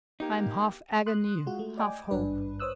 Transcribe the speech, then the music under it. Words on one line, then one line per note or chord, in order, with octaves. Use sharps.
I am half agony, half hope.
A#3 D#4 G4
C6 D#6 F#6
G#3 F4 F#4
A3
D5 D#5 G5 G#5 D6
G#1 G2 D4 B4
C5 C#5 D#6 E6 F#6